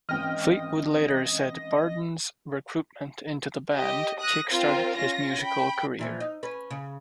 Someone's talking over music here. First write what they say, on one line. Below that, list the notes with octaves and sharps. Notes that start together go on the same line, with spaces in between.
Fleetwood later said Barden's recruitment into the band kick-started his musical career.
G#1 E3 C4 C#4 D#5 G5 F6 A#6
G4 D#5
D#6 F#6 A#6
C4 F4 A#4
C#4 F4 A#6
G5 B5
A#2 E3 F3
D#4
C#4 B4
C#3